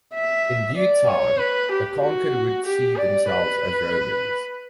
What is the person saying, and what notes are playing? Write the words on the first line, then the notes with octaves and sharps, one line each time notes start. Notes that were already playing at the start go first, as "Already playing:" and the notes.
In due time, the conquered would see themselves as Romans.
E5
D5
C#5
B4
G4
F#4
G4
D5
B4